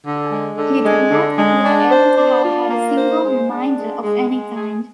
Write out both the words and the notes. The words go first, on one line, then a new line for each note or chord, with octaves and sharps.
He did not appear ever to have had a single reminder of any kind.
D3
G#3
D3
G#3
D3
G#3
D4
C5
D4
F4
A#3
C5
G#3
D4
G#3
G#3
G#3
G#4